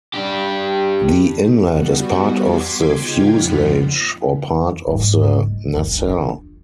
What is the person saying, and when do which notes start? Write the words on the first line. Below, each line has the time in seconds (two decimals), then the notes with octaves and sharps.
The inlet is part of the fuselage or part of the nacelle.
0.14 D4 G4
1.71 G3 B3 F#4
2.38 C6 D6 G#6 B6
2.95 C#3 G#3 D#4 F4 G5 G#6
3.29 F2 A#2 F3 F4 F#5 B5
4.88 G#2 G3
5.43 C#2
5.76 E2 D3
5.97 D4 F4